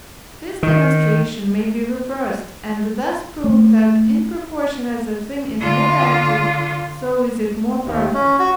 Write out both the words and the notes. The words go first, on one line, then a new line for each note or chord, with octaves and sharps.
This demonstration may be reversed, and thus prove that, in proportion as a thing is more active, so is it more perfect.
D#3
A3
D3 F4
D#2
C#4
F#4